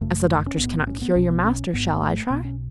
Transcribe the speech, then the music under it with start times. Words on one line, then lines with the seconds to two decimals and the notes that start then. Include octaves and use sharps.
As the doctors cannot cure your master shall I try?'
0.01 G#1 F#2 C#3 A3
0.47 C#4
0.58 B1 A2 B3
0.87 C#4
1.02 B3
1.16 B1 B2 C#4
1.30 B3
1.44 C#4
1.73 G#1 G#2 B3
1.96 B3
2.02 A3
2.30 B1 B2 B3
2.45 C#4